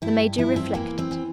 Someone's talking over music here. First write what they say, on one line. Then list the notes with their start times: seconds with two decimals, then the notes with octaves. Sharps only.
The Major reflected.
0.02 G2 E4
0.38 F3 E4
0.56 C4
0.74 E3 A#3
0.99 C4
1.11 E3